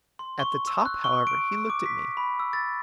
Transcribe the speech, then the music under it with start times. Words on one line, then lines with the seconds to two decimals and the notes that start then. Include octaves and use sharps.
At the top, however, he looked at me.
0.19 C6
0.40 C#6
0.67 E6
0.85 F#6
1.04 C#6
1.27 D7
1.70 D6
1.86 B6
2.17 B5
2.40 E6
2.53 A6